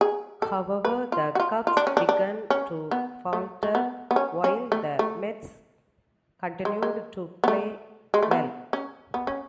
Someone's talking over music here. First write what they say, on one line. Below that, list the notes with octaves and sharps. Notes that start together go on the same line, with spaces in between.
However, the Cubs began to falter while the Mets continued to play well.
G#4
A4
B4
F4
F#4
F4
F4
D4
C#4
D4
D4
C#4
B3
A3
A3
B3
B3
C#4
C#4
A3
A3
G#3
G#3
B3
A3
G#3
A3
B3
C#4
B3
C#4